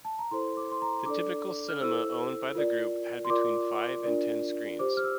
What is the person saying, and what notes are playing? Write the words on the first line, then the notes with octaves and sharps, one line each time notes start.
The typical cinema owned by the group had between five and ten screens.
A5
A#5
E4 A4 C5 C6
D6
C6
A#5
D4 A4 D5 D6
F6
E4 A4 C5 E6
F4 A#4 D5
C6
F4 A#4 D5 D6
D4 F4 A#4 D5
G4 C5 D6
F6
E6